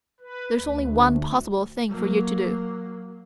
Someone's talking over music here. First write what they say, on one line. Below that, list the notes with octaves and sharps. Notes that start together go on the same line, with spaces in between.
There's only one possible thing for you to do.
B4
D2
F#3 A#3